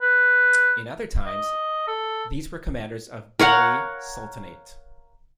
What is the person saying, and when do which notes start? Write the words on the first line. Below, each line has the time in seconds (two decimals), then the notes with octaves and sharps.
In other times, these were commanders of Delhi Sultanate.
0.02 B4
1.26 D#5
1.87 A4
3.39 A#4 C#5 F5 F#5